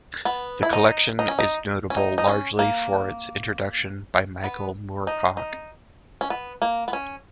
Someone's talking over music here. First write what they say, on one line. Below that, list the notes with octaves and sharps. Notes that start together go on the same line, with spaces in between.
The collection is notable largely for its introduction by Michael Moorcock.
B3
E4
D#4
D#4
C#4
D#4
C#4
D#4
D#4
C#4
A#3
B3
D#4
D#4
C#4
B3
A#3
B3
C#4